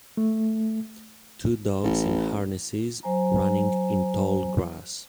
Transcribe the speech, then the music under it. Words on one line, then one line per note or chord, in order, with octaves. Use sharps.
Two dogs in harnesses running in tall grass.
A3
A1
F#3 C5 G#5 A#5